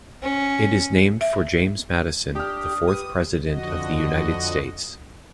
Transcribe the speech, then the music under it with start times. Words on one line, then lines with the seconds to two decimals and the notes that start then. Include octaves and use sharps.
It is named for James Madison, the fourth president of the United States.
0.22 C#4
1.21 E5
2.35 D4 G4 D#6 F6
2.88 G4 B4 D#6
3.47 F2 D3 F#4 D#5